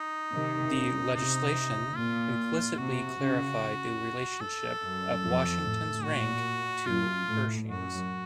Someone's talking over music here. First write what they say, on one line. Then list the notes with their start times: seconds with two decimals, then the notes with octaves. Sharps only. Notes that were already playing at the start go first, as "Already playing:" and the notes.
The legislation implicitly clarified the relationship of Washington's rank to Pershing's.
Already playing: D#4
0.32 C3 D#3
0.74 C#3
1.15 C3 D#4
1.97 A#2 F4
2.78 C3 F#4
3.18 C#3
4.41 A4
4.82 F#2
5.23 F2
5.64 A2
6.04 A#2 F#4
6.86 F#2 F4
7.26 A2
7.68 F#2 F#4